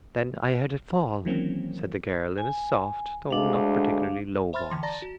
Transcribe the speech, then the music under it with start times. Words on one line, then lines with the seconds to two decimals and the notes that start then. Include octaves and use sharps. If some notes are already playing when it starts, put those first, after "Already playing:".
"Then I heard it fall," said the girl, in a soft, though not particularly low voice.
1.25 D#3 E3 F#3 A#3 C4 C#4
2.38 G#5
3.30 D2 D3 G#3 D4 F5
4.53 C5 E5 B5 C6 F6 A6
4.70 D3 E3 C6
4.83 D5 A5 A#5 A6 A#6
5.02 F#4